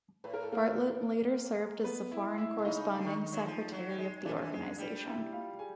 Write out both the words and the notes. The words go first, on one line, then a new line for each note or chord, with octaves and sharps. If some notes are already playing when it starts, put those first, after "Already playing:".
Bartlett later served as the Foreign Corresponding Secretary of the organization.
A2 B4
A#4
A4
A#3 A#4
B3 B4
E4 E5
E4 E5
C3
C#3 D#4 D#5
D3
D#3
F#3
F3
F#3
G3
G#3
E3 D4 D5
F3
E3
G#3
G3
E4 E5
F4 F5
G#4 G#5